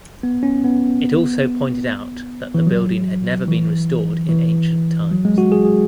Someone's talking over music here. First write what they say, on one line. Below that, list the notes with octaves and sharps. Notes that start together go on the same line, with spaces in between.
It also pointed out that the building had never been restored in ancient times.
B3
C#4
B3
E3
F#3
E3
E3
F#3
G#3
F#4
G#4
G#4